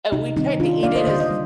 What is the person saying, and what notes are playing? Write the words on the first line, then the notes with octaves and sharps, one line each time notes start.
And we tried to eat it as
C3 D#4
D#3 G3 C4 D#4
D#3 D4 F4
A#3 D4 D5 F5
C5 D#5
D3 C5 D#5
D#5
G3